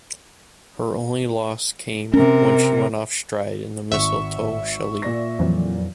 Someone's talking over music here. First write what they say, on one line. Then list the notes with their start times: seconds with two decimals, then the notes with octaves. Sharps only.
Her only loss came when she went off stride in the Mistletoe Shalee.
2.14 C3 C#4 A#4
3.92 G#1 E5 C#6
5.02 A#2 D5 A#6
5.39 F2 E3 F#3